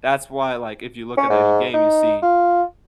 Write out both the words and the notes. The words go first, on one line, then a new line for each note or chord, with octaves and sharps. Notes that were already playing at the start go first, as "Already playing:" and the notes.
That's why, like, if you look at any game, you see
C#4
G#2
D#4
F4